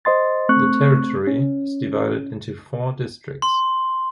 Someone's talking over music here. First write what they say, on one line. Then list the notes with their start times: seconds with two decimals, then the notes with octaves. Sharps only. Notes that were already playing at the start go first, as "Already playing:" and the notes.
The territory is divided into four districts.
0.05 C5 D#5 C6 A6
0.49 A3 C4 C#6 F#6
1.27 C#4
3.42 C6